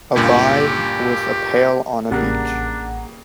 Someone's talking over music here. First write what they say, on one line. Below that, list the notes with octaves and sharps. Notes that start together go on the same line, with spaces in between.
A buy with a pale on a beach.
C#2 G2 A#2 G4
A1 C#3 G3 A#3 D4 F#5 A#5